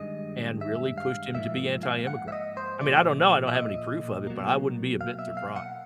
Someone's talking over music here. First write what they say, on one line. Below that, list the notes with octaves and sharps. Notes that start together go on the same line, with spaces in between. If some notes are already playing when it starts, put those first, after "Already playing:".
and really pushed him to be anti-immigrant. I mean, I don't know. I don't have any proof of it, but I wouldn't be a bit surprised.
Already playing: G2 D#3 G#3 D#5
E5
F5
G#2 F3 A#3 E5
F5
F#5
E5
D#5
C5
A#2 F3 A3 D5
E5
D#5
B2 F#3 A#3
F5
E5
F5
F#5